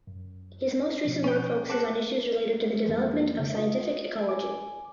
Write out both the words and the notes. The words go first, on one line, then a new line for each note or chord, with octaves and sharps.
His most recent work focuses on issues related to the development of scientific ecology.
F#2
B2 F3
C#4 G5
C4 G#4 C5 F#5 A5 D6
F2 D#3 E3 G#3 A#3
C#3
F4 D#5
G#5 D6